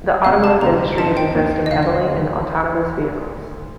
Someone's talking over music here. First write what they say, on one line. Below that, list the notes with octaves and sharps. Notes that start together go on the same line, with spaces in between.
The automotive industry is investing heavily in autonomous vehicles.
F2 C3 G3 F5
A5
D2 C3 G3 C4 D#4 A#5
G2 F3 C4 D#4 A5
G5
D#2 D#3 A#3
D#5
D2 D3 F3 F5
D#5